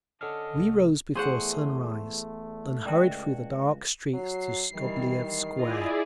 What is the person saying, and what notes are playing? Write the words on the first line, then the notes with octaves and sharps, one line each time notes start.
We rose before sunrise, and hurried through the dark streets to Skobeliev Square.
D3 C#4 D4 A4 D#5 F6
C2 C3 A3
E2 A3 G#4 C5 F#5 C6 C#6
C#2 F#4 D5 G5 A5
F#3 C7
D#3 E3 G3
E4 F4 G#4 D5 D#5